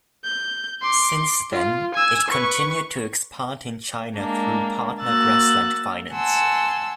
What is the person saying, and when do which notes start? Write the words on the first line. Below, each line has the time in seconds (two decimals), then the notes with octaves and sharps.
Since then, it continued to expand in China through partner Grassland Finance.
0.24 G6
0.82 C6 D6
1.52 F4
1.95 G#5 E6
2.28 B4 C#6
4.17 G#3 A#3 D4
5.02 A#3 F#4 E6 F#6 A6
6.14 F#5 G#5 A5 C6 E6